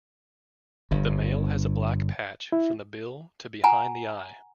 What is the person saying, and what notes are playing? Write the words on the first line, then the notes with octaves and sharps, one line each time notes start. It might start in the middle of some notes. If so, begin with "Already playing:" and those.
The male has a black patch from the bill to behind the eye.
G1 G2
E4
F#5 G#5 A#5